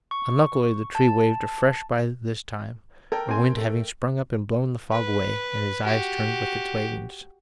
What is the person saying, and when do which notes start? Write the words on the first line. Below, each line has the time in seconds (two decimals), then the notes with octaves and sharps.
Unluckily the tree waved afresh by this time, a wind having sprung up and blown the fog away, and his eyes turned with its wavings.
0.11 C#6
0.95 A5
3.12 A4 A#4 G5
3.29 C4 G#5 C6
3.57 A3
4.92 B4
5.84 F#4 G4